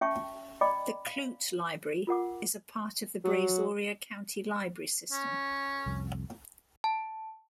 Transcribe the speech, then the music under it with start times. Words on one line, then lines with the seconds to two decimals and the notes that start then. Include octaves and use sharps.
The Clute Library is a part of the Brazoria County Library System.
0.01 C#4 E5 G5 A5 C#6
0.61 D5 D#5 G5 A#5 B5 D6
1.07 F5
2.07 F4 A#4 F#5 D6
3.24 F#3
5.12 C#4
5.86 C2 F2
6.84 A5